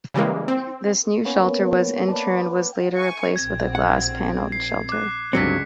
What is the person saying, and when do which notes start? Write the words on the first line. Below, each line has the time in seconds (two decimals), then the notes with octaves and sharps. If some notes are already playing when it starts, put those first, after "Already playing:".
This new shelter was in turn was later replaced with a glass panelled shelter.
0.14 C#3 E3 G3 G#3 A#3
0.48 C4
1.25 A#3 B3 C#4
2.08 B4 D5 A5
2.97 G#5 C#6
3.36 A#1 C4 G#6
3.75 F#5
4.52 C7
4.89 D6 F#6
5.33 C#2 G2 D3 F#3 C4 B6 C#7